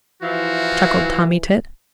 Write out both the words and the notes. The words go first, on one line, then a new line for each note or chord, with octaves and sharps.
Chuckled Tommy Tit.
E3 F3 E4 F#4 F5